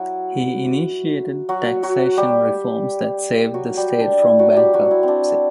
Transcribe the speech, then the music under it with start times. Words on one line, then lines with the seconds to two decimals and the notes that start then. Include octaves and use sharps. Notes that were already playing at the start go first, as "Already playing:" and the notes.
He initiated taxation reforms that saved the state from bankruptcy.
Already playing: F#3 E4 F#4
1.49 F#3 F#4
1.83 F#3 F#4
2.17 G3 G4
3.54 F#3 F#4
3.77 G3 G4
4.00 D4
4.22 E4
4.39 F#3 F#4
4.56 G3 G4
4.74 F#3 F#4
4.91 E4
5.03 C4 D4